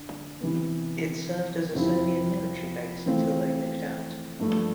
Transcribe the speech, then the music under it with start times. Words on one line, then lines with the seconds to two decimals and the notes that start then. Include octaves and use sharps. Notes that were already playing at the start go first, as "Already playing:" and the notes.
It served as a Soviet military base until they moved out.
Already playing: D3
0.41 C3 E3 B3
1.74 F2 C3 F3 C4 E4
3.06 E3 A3 C4 F4
4.40 G2 F3 A3